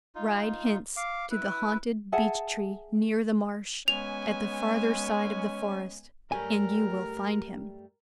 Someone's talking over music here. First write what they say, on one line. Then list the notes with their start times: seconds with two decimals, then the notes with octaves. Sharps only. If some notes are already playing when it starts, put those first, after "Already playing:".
"Ride hence to the haunted beechtree near the marsh, at the farther side of the forest, and you will find him."
0.15 D#4 F4
0.97 F5 D6
1.31 E4 B4
2.12 G#4 E5 F#5 A5
3.88 G#3 B3 C#4 G#5 F7
6.32 F#2 G3 A3 A#4 G#5